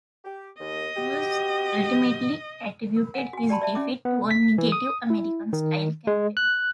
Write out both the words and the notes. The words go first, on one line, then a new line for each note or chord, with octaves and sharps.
Rodriguez ultimately attributed his defeat to a "negative, American-style campaign".
G4
D#2 D#5
C4 F#4 G4
A#4
F#5 G#5
F#4 G#5
G4 D5 G5 A5 B5 C6
D5 E5 A5
C#4 E5 D6
B3
B6
E3
D#6
E4
D#3
G#3
F#6